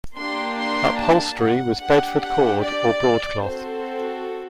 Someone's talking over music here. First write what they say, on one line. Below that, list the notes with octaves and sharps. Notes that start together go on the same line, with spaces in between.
Upholstery was Bedford cord or broadcloth.
A#3 D4 G4 C6
C6
A5
F#5
D4 G4 F#5
F#5
D5
C4 F#4 A4 C5